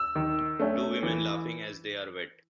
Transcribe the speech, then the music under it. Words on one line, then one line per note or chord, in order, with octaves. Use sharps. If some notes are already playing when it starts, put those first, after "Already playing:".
Two women laughing as they are wet.
Already playing: E6
D#3
A3 C#4
E3